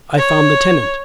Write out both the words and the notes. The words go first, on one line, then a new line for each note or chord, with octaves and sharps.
I found the tenant.
C#5